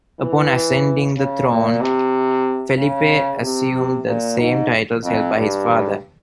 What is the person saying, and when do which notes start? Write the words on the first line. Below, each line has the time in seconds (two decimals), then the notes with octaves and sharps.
Upon ascending the throne, Felipe assumed the same titles held by his father.
0.20 E3
1.16 C#3
1.49 A#2
1.81 C3
2.77 C#3
3.42 C3
4.07 A#2
4.39 G#2
5.03 F2
5.36 G2